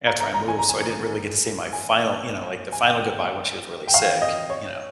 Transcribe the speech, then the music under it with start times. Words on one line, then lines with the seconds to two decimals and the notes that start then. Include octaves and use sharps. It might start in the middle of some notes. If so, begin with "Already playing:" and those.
after I moved, so I didn't really get to say my final you know, like the final goodbye when she was really sick, you know?
0.07 A#5
0.20 A#5
0.34 A#5
0.48 G#5
0.59 A#5
0.69 G#5
1.73 G#5
2.72 G#5
2.84 G5
3.88 G5
3.94 F5
4.22 D#5
4.50 C#5